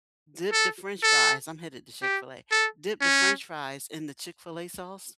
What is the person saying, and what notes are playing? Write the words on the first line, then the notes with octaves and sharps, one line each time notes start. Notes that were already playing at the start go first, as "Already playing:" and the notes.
dip the french fries I'm headed to Chick-fil-A. Dip the french fries in the Chick-fil-A sauce,
A4
A4
G4
A4
C#4